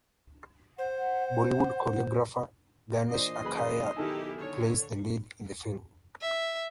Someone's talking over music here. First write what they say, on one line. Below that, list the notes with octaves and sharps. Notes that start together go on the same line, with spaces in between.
Bollywood choreographer Ganesh Acharya plays the lead in the film.
C5 F#5
A#2 E3 D4 C5 D#5 C6
F#1 G#4 B4 B5
B1 D#3 D#4 E4 G4 A4 G#5
D3 C#5
E5